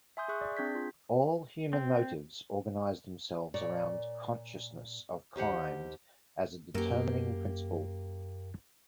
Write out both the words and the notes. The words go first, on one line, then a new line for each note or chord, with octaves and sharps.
All human motives organize themselves around consciousness of kind as a determining principle.
E5 G#5 C6 D#6 G6
G#4 E5 C#6 F#6
D5
C4 D4 G#4 G6 G#6 B6
F4
C4
A#2 C#5 D5
D#2 G4 C5 F#5
F#2 A#3 G4